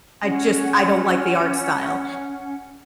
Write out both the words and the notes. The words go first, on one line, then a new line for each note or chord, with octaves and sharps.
I just I don't like the art style
C#4 F#5